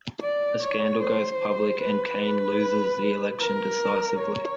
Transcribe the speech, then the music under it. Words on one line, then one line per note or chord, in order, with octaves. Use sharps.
The scandal goes public and Kane loses the election decisively.
D5
C#5
C5
B4
A#4
C#5